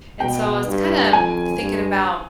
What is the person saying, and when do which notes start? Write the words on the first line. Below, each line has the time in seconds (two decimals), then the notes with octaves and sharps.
And so I was kinda thinking about
0.20 B2 G5
0.66 G2
1.13 F2 G#5
1.59 G2